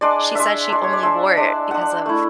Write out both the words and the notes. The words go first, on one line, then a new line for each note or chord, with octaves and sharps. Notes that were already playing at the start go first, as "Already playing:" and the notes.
she said she only wore it because of, eh
G#3 D4 D5
G#3 D4 E5
G#3 D4
C#5
D5
G#3 D4 E5
G#3 D4
G#3 D4 F#5
A3 E4